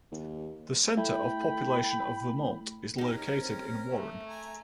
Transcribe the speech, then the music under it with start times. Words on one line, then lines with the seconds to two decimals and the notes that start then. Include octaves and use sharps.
The center of population of Vermont is located in Warren.
0.12 D#2
0.97 A3 E4 G5 B5
2.98 C#4 D#4 G4 A#4
3.37 C4
3.91 A3
4.29 G#5 A#5